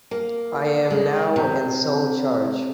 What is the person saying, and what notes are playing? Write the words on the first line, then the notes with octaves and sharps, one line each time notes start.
I am now in sole charge.
A#3
G#3
C3